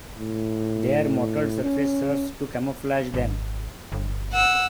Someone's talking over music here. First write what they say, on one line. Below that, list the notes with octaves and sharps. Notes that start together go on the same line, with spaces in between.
Their mottled surface serves to camouflage them.
A2
C#4
G#1
G1
F#5 E6